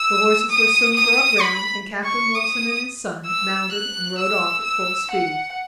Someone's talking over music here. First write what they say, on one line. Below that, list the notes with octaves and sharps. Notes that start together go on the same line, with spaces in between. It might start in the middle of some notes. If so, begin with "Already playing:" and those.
The horses were soon brought round, and Captain Wilson and his son mounted and rode off at full speed.
Already playing: E6
D#6
D#6
B5
C#6
D#6
E6
F#6
E6
E6
F#5